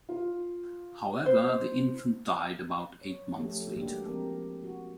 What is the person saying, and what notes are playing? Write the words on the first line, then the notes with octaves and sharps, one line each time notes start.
However, the infant died about eight months later.
F4
C5
C#5
F3 A3 C#4 G4 A4
G#3 A#3 D4 F#4 G4
F3 C4 G4 A#4
F#4